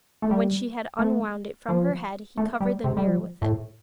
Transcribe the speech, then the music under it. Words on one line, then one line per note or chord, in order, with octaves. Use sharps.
And when she had unwound it from her head he covered the mirror with it.
A3
G3
A3
F3
A3
G3
C3
G3
F3
A2